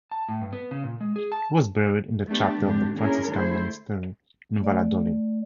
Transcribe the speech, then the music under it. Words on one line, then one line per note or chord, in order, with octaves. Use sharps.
He was buried in the chapter of the Franciscan monastery in Valladolid.
A5
A2
G2
B3
C#3
A#2
G#3
G#4
A5
A3 B3 D4 G4
G#2 D3 G#3 C4 D4 G4
A#3 C#4 D4 E4 G#4 A#4
D3 A3 E4 C5
A3 D5